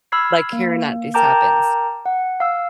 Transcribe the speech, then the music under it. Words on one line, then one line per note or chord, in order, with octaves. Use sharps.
like, hearing that this happens.
B5 E6 F6 G#6 C7
A#3
A#4 G5 A5 A#5 D6 G6
F#5
F5 E6